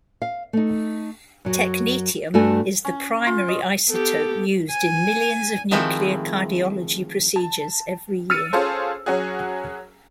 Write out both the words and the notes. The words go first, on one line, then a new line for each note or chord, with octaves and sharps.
Technetium is the primary isotope used in millions of nuclear cardiology procedures every year.
F5
A3 D#4
F#2 F#3
G2 A3 F#4 A4 G#5
C#4
F4
D#5
B3 G4 A4
G#5
D#3 F3 G#3 A3 C4 E4
A5
E6 F6 A6 C#7 D#7
C#4 F4 G#4 A4 C5
F#3 C#4 F#4 G#4